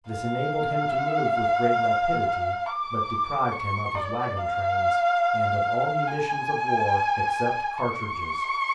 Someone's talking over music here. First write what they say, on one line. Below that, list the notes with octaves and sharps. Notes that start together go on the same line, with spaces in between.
This enabled him to move with great rapidity, but deprived him of his wagon trains, and of all munitions of war except cartridges.
F5
D6
C#6
D5
F5
G#5
C#6